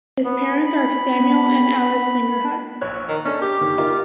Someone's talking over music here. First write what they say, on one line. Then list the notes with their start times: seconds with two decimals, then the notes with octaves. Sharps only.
His parents are Samuel and Alice Fingerhut.
0.25 B3
0.66 B5
1.19 B3
2.81 A#1 C#5 F#6
3.08 D#3
3.25 C#4 D4 A4
3.42 G4 G6
3.60 G1 D#3
3.78 D#4 F4 A#4